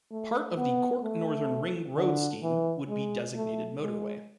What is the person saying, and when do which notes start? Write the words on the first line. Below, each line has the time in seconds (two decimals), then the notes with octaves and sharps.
Part of the Cork Northern Ring Road scheme would be designated motorway.
0.11 A3
0.57 B3
1.03 A3
1.96 D3
2.42 E3
2.89 G#3
3.35 A3
3.81 G#3